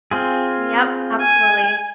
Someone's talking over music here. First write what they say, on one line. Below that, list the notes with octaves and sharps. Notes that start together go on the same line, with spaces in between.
Yep, absolutely.
C4 F4 G#4
G#5